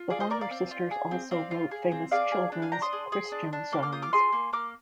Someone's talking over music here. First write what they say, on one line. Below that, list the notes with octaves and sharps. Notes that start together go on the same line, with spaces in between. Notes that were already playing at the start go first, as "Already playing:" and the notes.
The Warner sisters also wrote famous children's Christian songs.
Already playing: F4
G#4 D5 F5
C5 D#5
A#3 A#4 D5
D5 F5
C4
F4
G#4
C4
C4 D5 F5
F4
G#4
C4
G#4 D5 F5
G#4
D4
F5 G#5
D4 G5 A#5
C6 D#6
G#4
G#4
D4
D4
A#3 D6 F6
D6 F6
F4 D#6 G6
D6 F6
G#4 G#5 C6
A#3
A#3 D6 F6